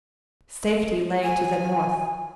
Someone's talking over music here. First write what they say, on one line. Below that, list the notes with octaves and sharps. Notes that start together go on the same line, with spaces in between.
"Safety lay to the north."
G#5